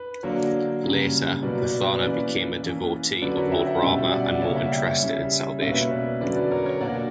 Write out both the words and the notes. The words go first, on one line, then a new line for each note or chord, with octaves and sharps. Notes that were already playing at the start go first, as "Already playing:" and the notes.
Later, Pothana became a devotee of Lord Rama and more interested in salvation.
Already playing: B4
D3 F#3 A#3 D4 A#4 C#5
C#3 G3 A#3 C#4
B2 F#3 A#3 B4 D5
B4 D5
B4 D5
E3 A#3 C#4 B4 D5
E3 A#3 C#4
D3 F#3 C#4 B4 D5
A#4 C#5
E5 G5
D5 F#5
B2 G3 C#4 E5 G5
D5 F#5
D5 F#5
C#3 G3 A#3 C#4 C#5 E5
D5 F#5
E5 G5
C#5 E5
C#3 G3 C#4
B2 A#3 C#4 C#5 E5
B4
C#5
B4 D5
D3 F#3 C#4 B4 D5
B4 D5
A#4 C#5
A#4 C#5
B2 A#3 D4 D5 F#5